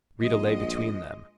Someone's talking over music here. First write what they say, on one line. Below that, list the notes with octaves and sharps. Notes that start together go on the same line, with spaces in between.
Rita lay between them.
A#1 G#3 D#5